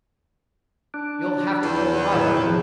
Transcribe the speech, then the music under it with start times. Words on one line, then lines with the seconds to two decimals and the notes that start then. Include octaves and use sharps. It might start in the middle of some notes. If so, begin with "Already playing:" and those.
"You'll have to pull harder."
0.94 D4
1.62 E2
2.14 A2 D#3 F#3
2.37 C3 F3